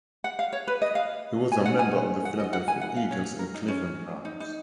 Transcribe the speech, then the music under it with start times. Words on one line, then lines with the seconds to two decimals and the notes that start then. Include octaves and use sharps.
He was a member of the Philadelphia Eagles and Cleveland Browns.
0.24 F#5
0.39 F5
0.53 C#5
0.68 B4
0.82 D#5
0.95 F5
1.52 G#5
1.66 F#5
1.79 G#5
2.25 F#5
2.40 D#5
2.53 F#5
2.68 G#5
2.81 F#5
2.96 F5
3.11 C#5
3.39 A#4
3.54 D#4
3.68 C#4
4.25 D#4
4.40 D#4